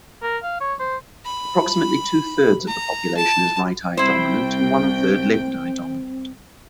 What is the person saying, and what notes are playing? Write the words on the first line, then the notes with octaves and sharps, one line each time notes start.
Approximately two-thirds of the population is right-eye dominant and one-third left-eye dominant.
A#4
F5
C#5
C5
B5
A#5
A5
C2 C4 E4 C5 G5